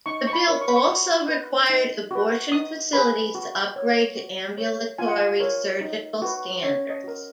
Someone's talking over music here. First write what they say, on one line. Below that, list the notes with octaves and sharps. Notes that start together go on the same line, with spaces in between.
The bill also required abortion facilities to upgrade to ambulatory surgical standards.
D#4 C#6
C#6
B5
A#4 C#5
C#6
B5
C#6
F#4
B4
D#4
F#4 B4
D#4 D#6
G#4 B4 B5
F#4
C#5
F#4
C#5
F4 G#5
F#5
G#5
A#4 C#5
D#4
F#4 B4
C#4 C#5
D#5
F#4 A#4